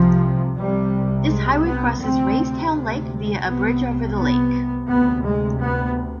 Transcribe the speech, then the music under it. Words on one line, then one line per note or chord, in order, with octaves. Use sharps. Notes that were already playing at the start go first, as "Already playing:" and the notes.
This highway crosses Raystown Lake via a bridge over the lake.
Already playing: C2 C3 F3
C2 C3 G3
G#3
B3
D2 C3 C4
C2 C3 B3
B3
D2 C3 B3
G#3
B3